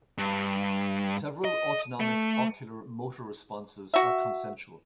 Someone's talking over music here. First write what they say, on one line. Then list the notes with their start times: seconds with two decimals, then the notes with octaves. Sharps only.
Several autonomic ocular motor responses are consensual.
0.18 G2
1.45 D#5
2.00 A3
3.94 F#4 E5